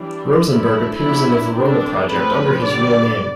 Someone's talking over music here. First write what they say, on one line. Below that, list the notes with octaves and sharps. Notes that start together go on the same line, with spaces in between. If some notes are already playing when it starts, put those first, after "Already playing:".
Rosenberg appears in the Venona project under his real name.
Already playing: E3 G3 D4
F3 A3 D4 E4
F3 B3 D4 E4
D3 A3 C4 D4
F3 A3 C4 B4
D3 G3 B3 D4 D5